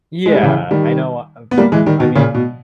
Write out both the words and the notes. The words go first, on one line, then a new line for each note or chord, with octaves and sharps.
Yeah, I know I'm m I mean,
G#3
G3
C#3 E3
D#3 G3
B3
G3 A#3
E3 G#3
D#3 G3
B2 D#3
A#2 C#3
B2